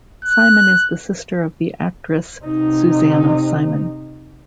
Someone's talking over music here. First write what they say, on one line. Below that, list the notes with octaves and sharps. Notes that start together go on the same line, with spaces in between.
Simon is the sister of the actress Susanna Simon.
F#6
C3 D#4